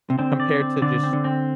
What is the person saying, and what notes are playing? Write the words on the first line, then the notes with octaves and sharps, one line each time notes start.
compared to just
C3
D3 C4
D5
C4
D3 D5
C4
D3
C4